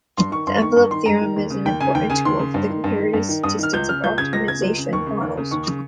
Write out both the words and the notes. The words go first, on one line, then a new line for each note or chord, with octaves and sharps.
The envelope theorem is an important tool for comparative statics of optimization models.
G2 C6
D#3 C#6
G2 C6
D#3 C#6
G2 C#6
D#3 C6
G2 A#5
D#3
D#2
C#3
D#2 G5
C#3 G#5
D#2 G5
C#3 G#5
D#2 C6
C#3
G2
D#3
G2
D#3
G2
D#3
G2 D#6
D#3 F6
C#2 G6
C#3 F6
C#2 G6
C#3 G#6
C#2 A#6
C#3 G#6
C#2
C#3
D#2 C#6
C#3
D#2
C#3
D#2 C#6
C#3